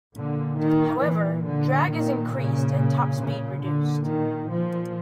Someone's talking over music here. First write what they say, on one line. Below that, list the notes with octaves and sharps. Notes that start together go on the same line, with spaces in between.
However, drag is increased and top speed reduced.
A#2 D3
D#3
A#2 E3
D3
A#2 D#3
C#3
A#2
C#3
A#2 D3
D#3
A#2 F3